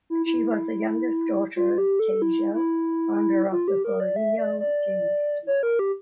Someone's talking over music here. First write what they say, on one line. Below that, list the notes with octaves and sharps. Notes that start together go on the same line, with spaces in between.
She was the youngest daughter of Taejo, founder of the Goryeo dynasty.
E4
E4
F4
G4
A4
E4
E4
F4
G4
A#4
D5
E5
D5
D5
C#5
A#4
G4